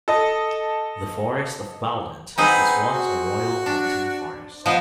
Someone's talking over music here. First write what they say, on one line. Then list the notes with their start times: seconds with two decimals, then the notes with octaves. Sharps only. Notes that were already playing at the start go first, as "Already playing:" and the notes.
The Forest of Bowland was once a royal hunting forest.
0.08 A4 D#5
2.38 C4 D#4 G#4 B4 F#5 B5
2.88 F#4
3.66 D4
4.66 F3 B3 C5 D#5